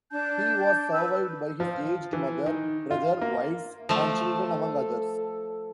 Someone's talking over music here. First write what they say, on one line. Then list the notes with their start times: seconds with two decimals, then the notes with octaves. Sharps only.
He was survived by his aged mother, brother, wives and children, among others.
0.11 D4 A5 G6
0.93 B4 E6
1.60 F3
2.13 E3
2.46 D#3
2.91 F4
3.21 A#3
3.89 F3 A3 A4